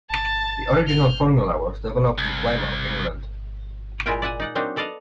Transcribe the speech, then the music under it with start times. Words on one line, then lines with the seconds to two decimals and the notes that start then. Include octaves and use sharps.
The original formula was developed in Plymouth, England.
0.10 A5 A6
0.87 F6 G6
2.18 C2
4.06 A#2 G#3 E4 F4 A#4 G5
4.22 D5 E5 F#5 G#5
4.40 D#4 D5 F#5
4.55 F#3 A#3 C4 D4 D#4
4.76 B3 A4 D5 D#5 F5 F#5